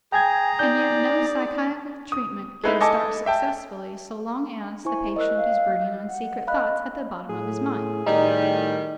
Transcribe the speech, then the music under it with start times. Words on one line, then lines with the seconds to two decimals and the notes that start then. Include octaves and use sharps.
And yet no psychical treatment can start successfully so long as the patient is brooding on secret thoughts at the bottom of his mind.
0.12 G#4 G5 G#5 A#5 G#6
0.59 D#4 D5 G6
2.12 D#6
2.64 G#3 A3 D#4 E4 B4
2.80 A4 D#5 G#5 A5 D6
3.26 E5 G5 A5
4.85 E4 C5 G#5 C#6
5.16 A#4 D#5 E6 F#6
5.36 F5
6.07 F#5
6.47 D#5 F5 B5 F#6
7.29 A2 G#4
8.06 A2 D#3 G3 D#4